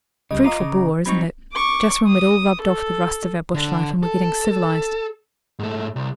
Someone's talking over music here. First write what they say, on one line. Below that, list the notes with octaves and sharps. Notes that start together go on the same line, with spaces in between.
Dreadful bore, isn't it? Just when we'd all rubbed off the rust of our bush life and were getting civilised.
C#2 C#3 G3 D#5
F4 D#5 A#5 D6
C#3
F#3 C4 D#4 B5 C#6
C#6 D6
D#6
A4
D3
A4
G#2 A3
C2